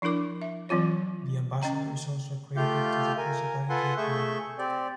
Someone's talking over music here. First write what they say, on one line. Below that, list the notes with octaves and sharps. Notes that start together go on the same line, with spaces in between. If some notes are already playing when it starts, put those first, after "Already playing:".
The ambassador is also accredited to the Principality of Monaco.
F3 D4 E4 A#4 D6
E5
E3 F#3 C4 F4 C#5
C#4 D#5 G5 A#5
A3 F4 G4 F5 G6
A#4 G#5
F4 A4 B4 F#5 G#5 C6
A3 G#4 E5 C#6 G6
C4 G4 D5